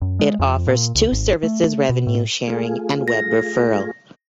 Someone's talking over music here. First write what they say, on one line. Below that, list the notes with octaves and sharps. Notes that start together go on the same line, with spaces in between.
It offers two services Revenue sharing and web referral.
F#2
G#3
F2
A#2
C#2
G#1
A3
B2
A2
A3 F4 G#4
A#6